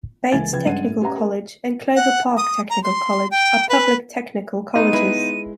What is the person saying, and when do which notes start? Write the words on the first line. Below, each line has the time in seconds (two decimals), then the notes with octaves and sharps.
Bates Technical College and Clover Park Technical College are public technical colleges.
0.32 C#2 E3 A#3 G#5 A6
0.52 C#3 F3 B4 G5 G#6
0.66 G2 G#3 C#4 F#5 D#7
0.86 A2
1.01 C#4 G4 B4 E5 F#5 A#5
1.17 A#4
1.96 F#5
2.37 D#6
2.70 A#5
2.83 C6
3.31 G5
3.69 B4
4.74 B3 D#4 C6 D#7
4.93 G#3 E4 B4